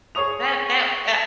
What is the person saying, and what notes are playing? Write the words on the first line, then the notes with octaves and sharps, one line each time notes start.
That that that
G#4 C#5 C#6 D#6 F7